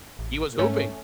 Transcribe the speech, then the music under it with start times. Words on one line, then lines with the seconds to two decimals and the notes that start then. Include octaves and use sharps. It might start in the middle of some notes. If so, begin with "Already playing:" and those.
He was hooping.
0.19 A1
0.59 G#2 A3 C#4